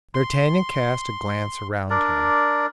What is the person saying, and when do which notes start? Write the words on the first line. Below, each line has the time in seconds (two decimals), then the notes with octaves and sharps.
D'Artagnan cast a glance around him.
0.14 C6
1.90 D4 A#4 D5